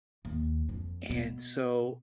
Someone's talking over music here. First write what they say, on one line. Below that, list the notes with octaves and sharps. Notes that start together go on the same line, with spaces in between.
And so,
D#2
F2
B2